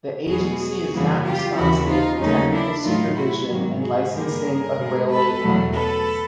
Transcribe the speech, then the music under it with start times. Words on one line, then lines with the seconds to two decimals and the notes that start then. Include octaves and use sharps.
The Agency is not responsible for technical supervision and licensing of railway companies.
0.28 E2 B2 F#3 F#4 G#4
0.60 F#4 G#4
0.92 F#2 C#3 E3 G3 A#3
1.23 F4 G4
1.55 D#2 C#3 E3 E4 F#4
1.88 D#4 F4
2.20 D#2 C#3 F#3 A3 C#4 D#4
2.52 D4 E4
2.84 A2 F#3 A3 D#4 F4
3.16 E4 F#4
3.49 G#2 D#3 F#3 A#3
3.80 F#4 G#4
4.12 G2 D3 G3 A#3 G#4 A#4
4.77 B2 G#3
5.09 A4 B4
5.41 E2 B2 F#3 A3
5.73 A4 B4